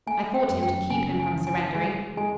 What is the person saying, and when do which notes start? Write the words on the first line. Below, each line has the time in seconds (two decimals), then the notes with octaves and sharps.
I fought him to keep him from surrendering.
0.07 A3 G#5
0.34 G5
0.49 F#2
0.63 G5
0.90 C#3 G#5
1.20 G#5
1.33 E3
1.47 G#5
1.75 G#3 G#5
2.17 G#3 G#5